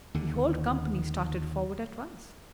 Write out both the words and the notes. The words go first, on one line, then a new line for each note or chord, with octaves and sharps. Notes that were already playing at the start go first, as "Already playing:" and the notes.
The whole company started forward at once.
D#2 D3